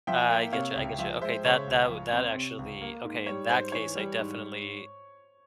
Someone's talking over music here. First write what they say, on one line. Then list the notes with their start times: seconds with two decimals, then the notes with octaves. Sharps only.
I get you I get you, okay, that that that actually okay, in that case, I definitely
0.07 F3 E5 G5
0.30 A#3
0.53 C3 C#5 F5
0.75 C#2
0.98 F3 E5 G5
1.21 G#3 C5 E5
1.45 C#3 C#5
1.67 C#2
1.89 F3
2.13 C4
2.35 C3
2.59 C#2
2.81 A#3
3.04 G#2
3.26 G3 C#5
3.49 G#2 C5
3.72 E3 C#5
3.95 G3
4.19 G#2